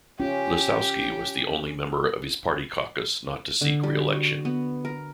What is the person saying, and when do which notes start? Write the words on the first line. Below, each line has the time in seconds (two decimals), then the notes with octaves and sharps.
Lisowsky was the only member of his party caucus not to seek re-election.
0.20 C#4 F4 G4
3.61 D3
3.83 G3
4.13 F#4
4.45 B3
4.85 A#4